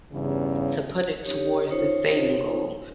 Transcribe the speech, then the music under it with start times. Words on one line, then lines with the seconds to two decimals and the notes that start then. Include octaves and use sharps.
To put it towards the saving goal.
0.12 E2 G2 C#3
1.23 C#4 D#4 G4 C#5
1.70 C#4 D#4 F4 C5 C#5